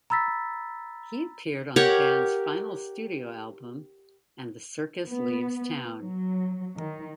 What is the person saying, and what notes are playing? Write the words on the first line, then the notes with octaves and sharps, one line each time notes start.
He appeared on the band's final studio album "...And the Circus Leaves Town".
A#5 B5 E6 A6 B6
G4 A#4 C#5 F#5
B3
F#3
D#3